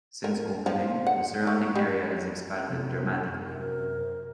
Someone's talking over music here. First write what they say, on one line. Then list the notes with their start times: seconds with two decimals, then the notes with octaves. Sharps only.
Since opening, the surrounding area has expanded dramatically.
0.24 A#4
0.66 F3
1.07 F#5
1.47 A3
1.75 G3
2.69 F#2 C3
3.47 A#4